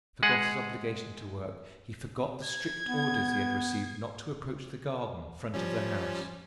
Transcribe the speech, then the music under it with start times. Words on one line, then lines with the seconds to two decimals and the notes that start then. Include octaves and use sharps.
He forgot his obligation to work; he forgot the strict orders he had received not to approach the garden-front of the house.
0.23 G#3 G#4 F#5
2.43 G#6
2.86 B3
5.54 F3 G3 C#4